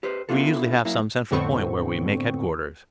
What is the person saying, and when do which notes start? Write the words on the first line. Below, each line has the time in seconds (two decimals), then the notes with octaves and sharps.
We usually have some central point where we make headquarters.
0.03 G4 B4 C5
0.29 B3 D4 E4 F4 A4
0.85 F#2 A#3 E4
1.31 F2 A2 D3 B3 C4 C#6